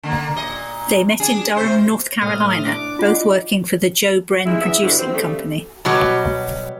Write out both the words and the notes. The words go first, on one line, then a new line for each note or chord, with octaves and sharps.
They met in Durham, North Carolina, both working for the Joe Bren Producing Company.
D3 A#3
A#2 D#5
D4 G#4
C3 C5
A2 C3 A3 D#6 F6
D4 D6
G3 D#4 F4 F#5
C#3 G#3 E4
E2 E5
G2 B2 D3 G#3 E4
C4
C#3 G3 A3
B2 F#3 G3